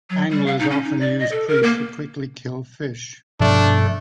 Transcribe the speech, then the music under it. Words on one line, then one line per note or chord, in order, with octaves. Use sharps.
Anglers often use priests to quickly kill fish.
F#3
G3
F5
D#4
C#4
D#4
D5
D#5
A4
A#4
A#3
G2 B2 F3 A3 D4 A4